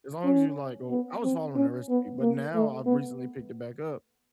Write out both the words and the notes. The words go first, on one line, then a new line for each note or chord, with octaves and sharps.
as long as you like, oh I was following a recipe, but now I've recently picked it back up
C#4
B3
C4
C#4
B3
A#3
A3
B3